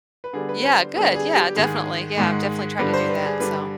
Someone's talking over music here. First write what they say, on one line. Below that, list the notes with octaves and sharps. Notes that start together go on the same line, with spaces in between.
Yeah, good, yeah, definitely, yeah, I've definitely tried to do that, so
B4
D3 G3 B3 G#4
B4
C5
D3 G3 B3 G#4
G#4
G4
G#2 D#3 G#3 G#4
G#2 D#3 G#3
G2 D3 G3 D4 B4
C5
B4
G#4
G2 D3 G3 D4 B4